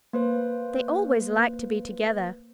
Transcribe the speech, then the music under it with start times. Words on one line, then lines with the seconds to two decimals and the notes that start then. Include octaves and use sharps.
They always like to be together!
0.13 A#3 B4 C5